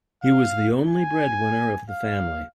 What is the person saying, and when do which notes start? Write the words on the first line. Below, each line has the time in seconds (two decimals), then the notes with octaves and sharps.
He was the only breadwinner of the family.
0.24 F5
0.88 G#5
1.91 F5